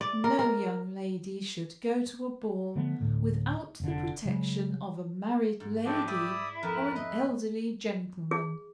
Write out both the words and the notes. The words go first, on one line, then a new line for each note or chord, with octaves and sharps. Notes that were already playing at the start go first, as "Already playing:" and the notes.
No young lady should go to a ball, without the protection of a married lady, or an elderly gentleman.
D5
A#4
A#4
D3 F3 A3 B3
D1 A2 D3
F1 D3
C#3 F#3 G#3
G#2
F3 A3 C4 D4 G4 D5
E4 D5 D#6
F2 A#4 B4
D#4 D#5 E5
G#4